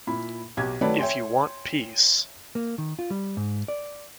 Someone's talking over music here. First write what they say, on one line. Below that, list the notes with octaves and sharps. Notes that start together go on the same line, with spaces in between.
If You Want Peace...
A#2 E4 B5
B1 G4 G#6
D#3 F#3 A3 B4 C#5 D5
C#5 E5 G5 G#5 C6
A#3
D#3
F4
G3
G#2
D5